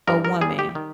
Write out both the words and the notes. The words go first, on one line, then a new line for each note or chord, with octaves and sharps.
a woman
G2 A#4
A#4
G3 G#4
G4
D#3